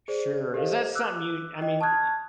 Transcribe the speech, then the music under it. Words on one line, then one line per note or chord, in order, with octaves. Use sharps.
Sure. Is that something you, I mean,
G#4 C5 D5
G4 A4 A#4 C5 D#5 F5
D6 E6 F#6
D#5 G5
A5 C#6 D#6 F6 F#6 G#6